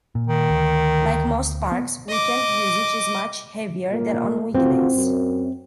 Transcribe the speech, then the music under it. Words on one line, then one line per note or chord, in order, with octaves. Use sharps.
Like most parks, weekend usage is much heavier than on weekdays.
A#2
D#3
D2
B3
D#5 D6
A#2 A#3
A1 C4 F4 F#4
F#2